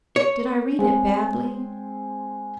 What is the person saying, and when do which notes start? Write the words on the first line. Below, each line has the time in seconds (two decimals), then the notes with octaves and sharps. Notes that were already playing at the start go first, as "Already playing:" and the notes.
Did I read it badly?
0.16 C#5
0.79 G#3 C4 G#4